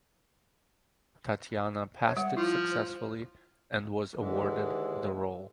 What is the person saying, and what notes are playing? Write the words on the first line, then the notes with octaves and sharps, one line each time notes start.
Tatyana passed it successfully and was awarded the role.
C#5
G3 F#5
F3 E4 F4
C5
D#2 D3 E3 G#3